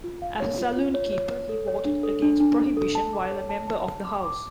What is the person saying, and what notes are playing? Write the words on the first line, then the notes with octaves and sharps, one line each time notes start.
As a saloon keeper he voted against Prohibition while a member of the House.
F4
F5
C#5
F4
F4
C#5
C#5
C#5
A4
C#5
D4
A4
D4
D4
D4
A4
A5
D6
C#5
A5
A5
A5
D6
D6